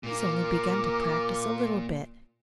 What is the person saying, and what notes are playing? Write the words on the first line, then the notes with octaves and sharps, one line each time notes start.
He's only begun to practice a little bit.
A#2 A#3 A#4 D6